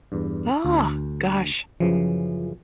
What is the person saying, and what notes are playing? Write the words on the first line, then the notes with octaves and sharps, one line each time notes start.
Oh, gosh.
E2 G2
D2
F#2 C#3 E3 F3